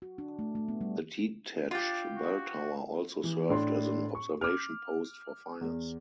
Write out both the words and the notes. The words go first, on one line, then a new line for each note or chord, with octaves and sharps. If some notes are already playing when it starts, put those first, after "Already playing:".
The detached bell tower also served as an observation post for fires.
F#4
D4
A3
A3
B3
G3
D4 F4 G4
F#4
E3
A2 D4 C6
C#6
D6 F6
E2